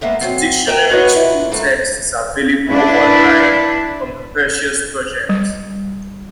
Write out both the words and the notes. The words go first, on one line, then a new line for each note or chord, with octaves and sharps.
The dictionary's full text is available on-line from the Perseus Project.
G#3 A#3 B3 E5 G5
F#3 C4
A#4 D#5 G5 G#5
B3 F#4 B4 C#5 D#5
G2 A#2 E4 F4
G#2 A3 A#4
D4 E4 B4
G3